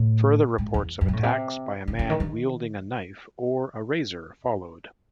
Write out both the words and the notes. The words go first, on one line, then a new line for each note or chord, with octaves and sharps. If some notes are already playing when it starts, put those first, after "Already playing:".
Further reports of attacks by a man wielding a knife or a razor followed.
Already playing: A2
G#2
E2
F#2
C3
A2
C3
C#3
C#3
D#3
D#3